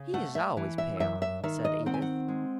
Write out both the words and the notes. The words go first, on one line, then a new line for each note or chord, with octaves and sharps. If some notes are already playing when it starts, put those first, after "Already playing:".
"He is always pale," said Edith.
Already playing: C#3
A3 F#5
E5
E3
E5
F#2 E5
E5
D#3 E5
D#5
C4 F#5
G#5
F#5
G#3